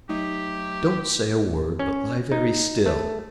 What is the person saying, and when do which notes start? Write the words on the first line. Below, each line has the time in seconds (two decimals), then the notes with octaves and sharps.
"Don't say a word, but lie very still."
0.09 F#3 A3 D#4 G4
1.79 C#4
2.32 D#4
2.86 A3